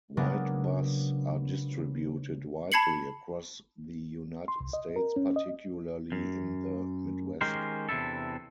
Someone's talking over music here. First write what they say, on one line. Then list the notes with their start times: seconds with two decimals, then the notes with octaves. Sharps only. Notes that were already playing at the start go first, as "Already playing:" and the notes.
White bass are distributed widely across the United States, particularly in the Midwest.
0.17 C#3 F#3 G#3 A#3 B3 D4
2.72 A5 B5 G#6 C7 C#7 F#7
4.48 C6
4.61 C2
4.73 D#5
4.96 A#4
5.16 C#4
5.36 D#5
6.12 F#2
7.41 D#3 G#3 C#4 G4 A#4 C5
7.89 E2 C3 D4 E4 A4